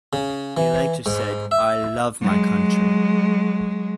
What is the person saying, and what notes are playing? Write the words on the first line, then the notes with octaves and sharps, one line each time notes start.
He later said, I love my country.
C#3
E3
G#2
E5
F#3 G#3